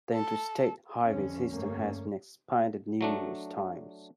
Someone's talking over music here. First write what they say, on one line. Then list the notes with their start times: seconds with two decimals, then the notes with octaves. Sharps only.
The Interstate Highway system has been expanded numerous times.
0.13 A4
1.07 F2 D3 C#4
1.50 G2 A3 A#3 C#4
3.01 F#3 A3 D4